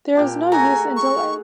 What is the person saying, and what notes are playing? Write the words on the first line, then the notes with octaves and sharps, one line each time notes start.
There is no use in delay.
A#2 G4 A5
A3 F#4 G#4 G#5 A#5
C#6